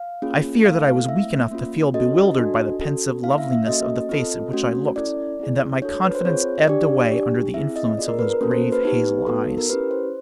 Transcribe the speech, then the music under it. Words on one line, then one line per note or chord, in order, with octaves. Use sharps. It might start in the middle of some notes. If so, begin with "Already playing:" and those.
I fear that I was weak enough to feel bewildered by the pensive loveliness of the face at which I looked, and that my confidence ebbed away under the influence of those grave hazel eyes.
Already playing: F5
A#3 C#4 F4 G#4
A3 C4 E4 A4 F5
F5
A3 C4 E4 E5
A#3 C#4 F4
C#4 F#4 A4 D#5
D4 F#4 A4
C#4 F#4 A4
A#3 C#4 E4 F5
E5
E5
A#3 C#4 F#4 A4 D#5
C4 F4 A4
A3 C#4 F#4
C#4 E4 A4 D5
C4 E4 G#4
D4 F#4 A4 C#5
C#5
B4
C5
C4 F4 G#4 C#5
D4 G4 D5
D4 G4
C4 E4 G#4 E5
D#5
B3 D4 F4 G#4 D5
A#4
B4
A#4
A#3 C#4 F#4 A4
C5
B4
B3 D#4 G4
B3 D#4 F#4 A4
A#4
C#4 E4 G4 B4
C5